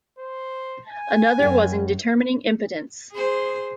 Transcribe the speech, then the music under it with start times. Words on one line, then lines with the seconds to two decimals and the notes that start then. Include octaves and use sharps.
Another was in determining impotence.
0.18 C5
0.87 G#5
1.39 F#2 G4
3.12 G#4 C5